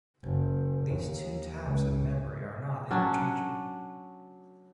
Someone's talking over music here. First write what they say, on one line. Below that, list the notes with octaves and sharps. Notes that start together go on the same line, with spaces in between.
These two types of memory are not interchangeable.
F#1
D#2
C#2
F#3 C#4 D4 F#4